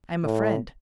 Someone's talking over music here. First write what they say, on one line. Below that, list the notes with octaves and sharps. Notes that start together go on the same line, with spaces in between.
"I am a friend."
A2